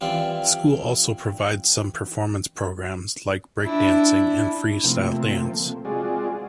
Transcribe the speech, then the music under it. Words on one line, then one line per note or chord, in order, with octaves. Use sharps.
The school also provides some performance programs, like breakdancing and freestyle dance.
E3 G3 C4 F4
D4 E4
C3 F3 A3 A#3 C4
G#3 C4 F4 F#4 G#4 D5